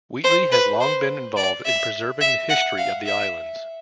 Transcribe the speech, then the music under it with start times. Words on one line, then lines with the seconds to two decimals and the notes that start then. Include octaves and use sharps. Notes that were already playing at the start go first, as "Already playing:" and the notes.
Wheatley has long been involved in preserving the history of the islands.
0.24 C5
0.52 B4
0.81 C5
1.37 D5
1.66 E5
2.21 E5
2.50 F#5
2.78 F5
3.06 E5